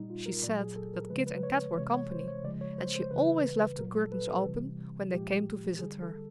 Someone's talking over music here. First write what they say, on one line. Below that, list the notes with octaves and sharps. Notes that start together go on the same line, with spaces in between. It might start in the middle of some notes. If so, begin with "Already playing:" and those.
She said that Kit and Kat were company, and she always left the curtains open when they came to visit her.
Already playing: A#2 G3 D#4
F4
A#4
A#2 F#3 D5
G#4
A4
A#4
C#3 F3 G#3 B4
B4
C#5
C3 E3 G#3 C#5
C#5
C5
C#5
C#3 F3 G#3 D5
C#5
C5
C5
C#3 E3 G3 B4
A#2 F#3 A#4
A4
B4
A4
C3 E3 G3
A#2 F3 G#3 G4
D3 G3 G#4
A4